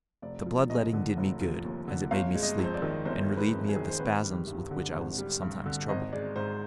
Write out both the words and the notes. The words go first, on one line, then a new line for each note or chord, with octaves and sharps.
The blood-letting did me good, as it made me sleep, and relieved me of the spasms with which I was sometimes troubled.
F1 D5
F3
D#2 D#5
D3
F1
F3
D#2
D3
G1 F5
G#3
D#5
F2
C5
D5
D#3
G1 C5
G#3
B4
F2
G#4
D#3
C5
G#1 B4
G3
G2
D3
G#1
G3
G2
D3
G#1 D#5
G#3 D5
G#2 C5